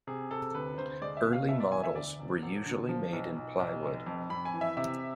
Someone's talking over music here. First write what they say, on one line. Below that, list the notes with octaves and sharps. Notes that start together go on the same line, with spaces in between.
Early models were usually made in plywood.
C3 G#4
C3 A4
D2 B4
D2 C5
G#3 D5
E5
B2
F5
B2 E5
D5
E2 G#5
E5
D2 D5
E1
E1
D3
F3
B1
B1
B1
F1
F2
F2 B5
G#5
E3
E5
C3 E5